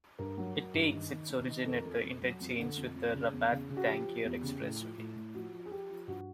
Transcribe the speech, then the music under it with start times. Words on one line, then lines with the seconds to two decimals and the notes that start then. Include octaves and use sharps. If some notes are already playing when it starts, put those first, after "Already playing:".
It takes its origin at the interchange with the Rabat-Tangier expressway.
0.19 G2 A#4
0.38 F#3
0.56 F#3
0.74 G2
0.93 D#3
1.11 D#3
1.30 D#3
1.48 D#3
1.66 F2 A4
1.75 A#4
1.85 F2 A4
2.03 F2
2.22 F#3
2.40 F2
2.59 D3
2.77 F2
2.95 F2
3.14 C#3
3.33 E2
3.51 C#3
3.69 C#3
3.77 F#4
3.87 F3 G4
4.06 F3
4.24 E2
4.42 C#3
4.61 A2
4.79 F3
4.98 A2
5.16 A2
5.35 F3 F#4
5.53 F3
5.66 G#4
5.71 F3 G4
5.89 F3
6.08 G2 F#4